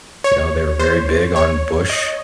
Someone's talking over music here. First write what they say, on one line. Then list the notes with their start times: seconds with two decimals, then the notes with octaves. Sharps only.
you know, they were very big on Bush.
0.24 C#5
0.80 C5
1.36 C#5
1.90 D#5